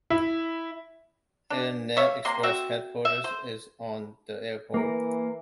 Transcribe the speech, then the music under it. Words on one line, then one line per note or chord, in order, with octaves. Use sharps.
AirNet Express headquarters is on the airport.
E4
D4
C#5 E5 F5
C3 A#3 C6
C4 F#4 E5
E5
C5
E3 A#3 A#4